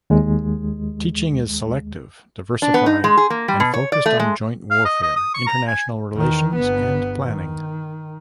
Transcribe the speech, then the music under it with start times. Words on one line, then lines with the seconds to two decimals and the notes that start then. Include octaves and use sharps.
Teaching is selective, diversified, and focused on joint warfare, international relations, and planning.
0.10 D#2 G#3
2.62 D4
2.74 B3
2.86 D#4
3.04 G#3
3.17 G#4
3.30 A#3
3.48 G3
3.60 B2
3.74 C#5
3.92 D5
4.06 A3
4.19 G#3
4.71 F5
4.85 D#5
5.02 D#5
5.16 D#6
5.34 C#6
5.47 A#5
5.68 G#5
6.13 E2 D#3
6.55 G1 B3
7.24 D#3